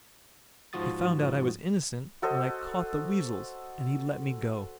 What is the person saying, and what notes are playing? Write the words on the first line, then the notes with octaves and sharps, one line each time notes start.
He found out I was innocent when I caught the Weasels and he let me go.
G#2 F3 F4 F#4 D#6 A6
F#4 A4 C5 D#5